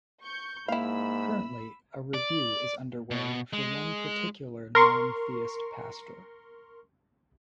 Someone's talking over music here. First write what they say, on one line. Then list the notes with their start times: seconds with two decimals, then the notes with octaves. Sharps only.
Currently, a review is underway for one particular non-theist pastor.
0.21 C#6 G6
0.68 G#2 A#3 E4 F5 B5 E6
2.14 D5
3.11 B2
3.53 G#3
4.75 A#4 C6 C#6